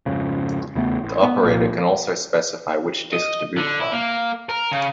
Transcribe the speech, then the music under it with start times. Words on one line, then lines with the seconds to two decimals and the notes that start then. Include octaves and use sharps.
The operator can also specify which disk to boot from.
0.06 F2 G#2 C#3
0.75 E2 C#3 A3 B3
1.04 A1
1.22 B3
1.43 C2 A#2 F3 A#3
3.13 D#5
3.57 D3
3.80 E4
3.92 A#3
4.49 A#4
4.72 C#3